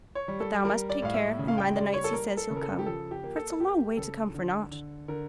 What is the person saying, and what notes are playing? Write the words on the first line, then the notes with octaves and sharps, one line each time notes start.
But thou must take care, and mind the nights he says he'll come, for it's a long way to come for nought.'
C#5
G3
A4
G3 A#4
D5
A2 F5
E5
C#3
F5
G5
G3 D5
C#5
A4
A#3 A#4
A4
C#3
A#4
A4
G4
F3 A4
G4
A#3
A4
A#3 G4
C#3 A4
D3
D3
D3 A#4